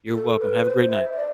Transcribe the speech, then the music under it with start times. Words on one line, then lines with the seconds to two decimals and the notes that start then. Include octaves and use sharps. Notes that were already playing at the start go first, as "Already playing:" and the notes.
you're welcome, have a great night.
0.14 A4
0.40 B4
0.64 C5
0.91 E5
1.12 C5
1.16 D5